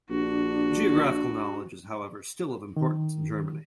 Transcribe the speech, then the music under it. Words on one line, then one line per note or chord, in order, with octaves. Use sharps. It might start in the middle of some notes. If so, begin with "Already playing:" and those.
Geographical knowledge is however still of importance in Germany.
A#1 D4 F#4
D#3